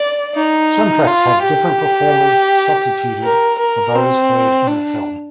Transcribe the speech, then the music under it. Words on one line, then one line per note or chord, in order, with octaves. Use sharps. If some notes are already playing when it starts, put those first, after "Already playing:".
Some tracks have different performers substituted for those heard in the film.
Already playing: D5
D#4
F4
G4
A#4
A#4
C4
D4